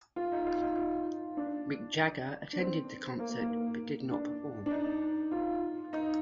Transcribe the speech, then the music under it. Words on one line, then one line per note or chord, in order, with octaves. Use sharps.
Mick Jagger attended the concert, but did not perform.
F4
D#4
F4
D#4
F4
D4
D4
C4
A#3
A#3
A#3
D4
D4
D#4
F4
D#4